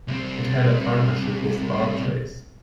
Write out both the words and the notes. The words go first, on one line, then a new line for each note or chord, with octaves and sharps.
It had a partnership with Barclays.
C2 C4